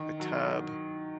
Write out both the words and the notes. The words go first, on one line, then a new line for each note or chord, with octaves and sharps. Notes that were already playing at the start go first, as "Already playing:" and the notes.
the tub,
Already playing: D#3
F#3